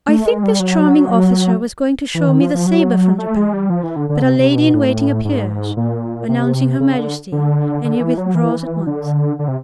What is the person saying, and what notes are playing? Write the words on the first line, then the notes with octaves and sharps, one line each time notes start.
I think this charming officer was going to show me the sabre from Japan, but a lady-in-waiting appears, announcing Her Majesty, and he withdraws at once.
A3
G#3
G3
F#3
E3
D#3
F3
F3
F#3
A3
G#3
G3
F3
E3
D3
D3
C3
C3
B2
A2
G#2
A#2
C3
C#3
D3
D3
D3
E3
F#3
E3
D3
D3
C3